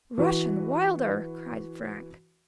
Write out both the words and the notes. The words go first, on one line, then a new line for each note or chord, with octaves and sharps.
"Rush & Wilder!" cried Frank.
E3 F#4 B4